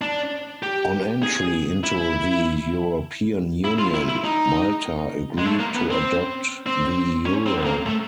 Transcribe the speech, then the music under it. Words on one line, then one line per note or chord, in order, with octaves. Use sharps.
On entry into the European Union, Malta agreed to adopt the euro.
D4
G4
G#4
E4
E4
F4
E4
E4
D#4
G#3
A3
A#3
B3
C4
C4
C#4
C4
A#3
A3